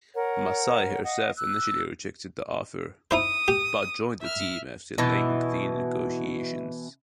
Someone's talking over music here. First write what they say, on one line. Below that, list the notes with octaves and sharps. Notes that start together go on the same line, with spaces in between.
Masai herself initially rejected the offer, but joined the team after lengthy negotiations.
A#4 C#5 F#5
D#5 F5 F#5
E6 F#6
D#4 E4 C5 D#6
G4
E5 F6
B2 E3